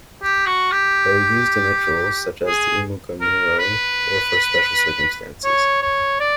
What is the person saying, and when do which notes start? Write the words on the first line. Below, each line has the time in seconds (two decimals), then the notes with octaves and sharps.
They were used in rituals, such as the "umuganuro", or for special circumstances.
0.22 G4
0.46 F#4
0.72 G4
2.46 G#4
3.21 A#4
3.59 B4
5.44 C#5
5.82 C#5
6.20 D5